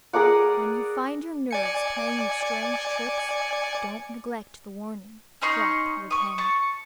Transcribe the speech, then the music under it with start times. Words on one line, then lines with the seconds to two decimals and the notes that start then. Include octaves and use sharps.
When you find your nerves playing you strange tricks, don't neglect the warning--drop your pen.'
0.13 G#4 A#4 D5 F#5
1.51 D5 G#5 C#7
5.42 C#4 D#4 C6 C#6
6.11 C#6 D#6
6.38 A5 C#6